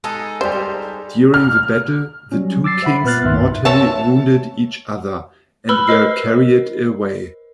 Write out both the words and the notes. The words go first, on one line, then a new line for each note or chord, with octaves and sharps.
During the battle, the two kings mortally wounded each other, and were carried away.
G#3 D#4 A4
G3 G4 C5
F6
F#3 G3 C#4
D6 E6 A6 C7
C5 E5 F#5 B5
A#2 B3 B4 F6 F#6 A6
C2 G2 D#3 E5 C6
C#5 E5 A5
B4 B5 E6 F6 G7
A#4 C5 D#5 C7